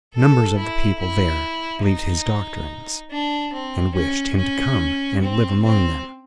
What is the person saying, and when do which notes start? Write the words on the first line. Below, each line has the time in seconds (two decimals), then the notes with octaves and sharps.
Numbers of the people there believed his doctrines and wished him to come and live among them.
0.15 A4
0.57 E4
0.99 E4
1.83 D#4
3.11 D4
3.53 C4
3.95 C#4
4.37 C#4
5.22 C4
5.63 C4